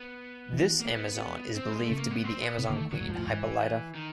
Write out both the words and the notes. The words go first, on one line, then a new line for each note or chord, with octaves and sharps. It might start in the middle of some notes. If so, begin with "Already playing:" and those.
This Amazon is believed to be the Amazon queen Hippolyta.
Already playing: B3
E3
A#3
B3
C4
G#3
A3
C#3
A#3
B3
C4
B3
C3 B3
D3 A#3
A3
D#3
D3 F#3
A2
G#2 F3
A2
G#2 E3
D#3